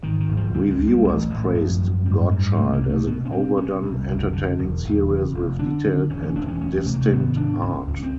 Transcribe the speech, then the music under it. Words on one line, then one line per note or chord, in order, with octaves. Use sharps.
Reviewers praised "Godchild" as an overdone, entertaining series with detailed and distinct art.
G#1 D#3
D#3
G#1
F3
C#2 G3
G#3
C#2
G3
A1
A1
F#2 F3
F#2
G#2 G3
G#2
G3
C2 A3
A#3
B2
A3
B2 B3
C#4
B2 C4
B2 C#4
C2
F#1
D3
E1
E1
C#3
F1
D3 D4
D3
E1 C#4
C#4
E1 D4
C#4
D2 C#4
C3 A3
A#3
A3
G#1 B3
G#2 D4
C#2 C#4
C#2
C4